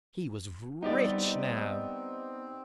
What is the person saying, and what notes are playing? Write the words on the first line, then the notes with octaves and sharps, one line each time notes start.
He was rich now.
G3 B3 C4 D#4 G4 D5